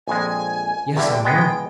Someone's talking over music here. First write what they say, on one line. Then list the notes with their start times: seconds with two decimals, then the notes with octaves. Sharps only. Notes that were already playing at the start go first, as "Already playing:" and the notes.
"Yes, I know."
0.08 A#1 F2 G#3 G#5
0.95 E2 G2 D3 E5
1.11 G5
1.25 G#3 B3 G5